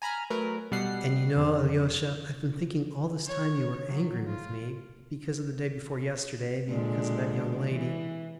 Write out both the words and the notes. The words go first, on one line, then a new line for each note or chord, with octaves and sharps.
And you know, Alyosha, I've been thinking all this time you were angry with me, because of the day before yesterday, because of that young lady.
G#5 A#5 B5 F6
F#3 A3 A#4 B4
B2 G3 F#5 C7
F2
C#5
F#3
F4
A#2 D3 G#3
E3